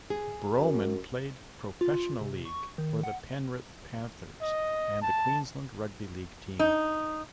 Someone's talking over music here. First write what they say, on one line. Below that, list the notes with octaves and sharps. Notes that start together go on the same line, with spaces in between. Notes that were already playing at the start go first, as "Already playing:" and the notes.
Brohman played professional league for the Penrith Panthers and the Queensland rugby league team.
G#4
F#2
F4
C3
C#6
D#3
F#5
D#5
A5
D#4